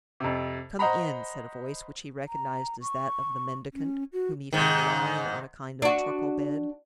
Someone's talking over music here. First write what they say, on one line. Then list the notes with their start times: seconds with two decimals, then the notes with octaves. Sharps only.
"Come in," said a voice which he recognized as that of the mendicant, whom he found lying on a kind of truckle bed.
0.20 F2 C3
0.79 C5 D#5 F#5 A#5 B5
2.26 A#5
2.82 C#6
3.74 C#4
4.13 F#4
4.53 G#2 D#3
5.82 D4 F#4